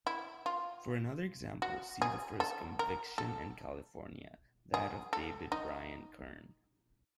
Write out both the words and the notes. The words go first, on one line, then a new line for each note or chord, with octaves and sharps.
For another example, see the first conviction in California, that of David Brian Kern.
E4
F4
F#4
G#4
A4
A#4
A4
G#4
A4
D#4